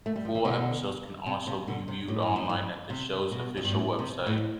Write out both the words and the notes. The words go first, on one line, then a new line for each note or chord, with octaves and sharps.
Full episodes can also be viewed online at the show's official website.
A3
G3
F3
E3
B2 D3
C3
C3
B2 D3
C3
A2
G2
F2
G2
C3
B2
F2
G2
A2
C3
A2